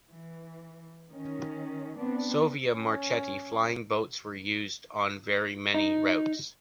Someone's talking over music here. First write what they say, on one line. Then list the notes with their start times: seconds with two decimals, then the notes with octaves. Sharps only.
Savoia Marchetti flying boats were used on very many routes.
0.11 E3
1.11 D#3 C#4
1.98 B3 C4 D4
2.73 C#4
5.74 D#4